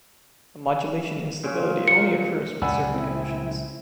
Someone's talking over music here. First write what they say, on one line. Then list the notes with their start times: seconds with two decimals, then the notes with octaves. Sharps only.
The modulation instability only occurs with certain conditions.
1.43 A#2 C#4
1.88 C#7
2.62 C#2 A#2 C#3 D5 F#5 G#5 B5 E6
2.93 C4 E4